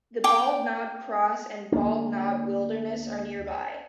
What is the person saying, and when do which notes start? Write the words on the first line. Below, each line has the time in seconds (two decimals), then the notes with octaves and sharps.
The Bald Knob Cross and Bald Knob Wilderness are nearby.
0.24 G5 D6
1.72 D2 A#3 D4